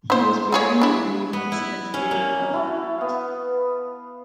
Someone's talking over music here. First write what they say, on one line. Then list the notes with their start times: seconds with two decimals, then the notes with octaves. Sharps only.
He was buried in Union Cemetery in Bellefonte.
0.10 E4 C5
0.52 F4 G#4 C#5
0.82 D4 E4
1.33 B3
1.52 E4
1.94 C#4
2.11 A#3
2.53 E4 F#4 A5
2.98 B3 F5